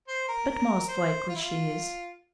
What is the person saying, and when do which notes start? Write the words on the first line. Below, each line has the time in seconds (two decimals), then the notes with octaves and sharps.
But most likely she is.
0.08 C5
0.28 A#4
0.48 A#4
0.89 C5
1.29 F4
1.36 E4
1.42 F4